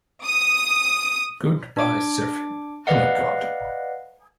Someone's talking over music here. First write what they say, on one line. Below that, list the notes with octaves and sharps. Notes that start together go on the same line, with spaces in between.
Goodbye Surfing, Hello God!
D#6
D4 D6 D7
B4 D5 D#5 F5 F#5